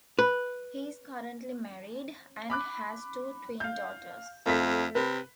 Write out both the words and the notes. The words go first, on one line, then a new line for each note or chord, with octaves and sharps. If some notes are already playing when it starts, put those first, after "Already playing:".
He is currently married, and has two twin daughters.
B4
B5 D6 F#6
F5 G6
F2 A3 B6
C3 B4